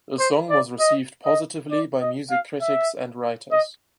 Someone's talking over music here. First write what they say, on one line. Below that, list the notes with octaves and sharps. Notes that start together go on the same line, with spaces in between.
The song was received positively by music critics and writers.
C5
D5
D#5
D#5
D5
D#5
F5
E5
D#5